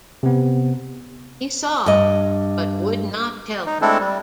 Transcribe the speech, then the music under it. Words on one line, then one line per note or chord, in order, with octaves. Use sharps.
He saw, but would not tell her.
C3 B3
G2 D#5
D#4
G#3 A3 C4 D4 E4 A4
G3